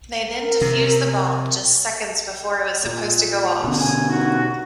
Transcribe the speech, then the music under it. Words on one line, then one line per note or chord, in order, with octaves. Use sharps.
They then defuse the bomb just seconds before it was supposed to go off.
A#4
C3
A#2
B2 D3
G#5
D#4 F#4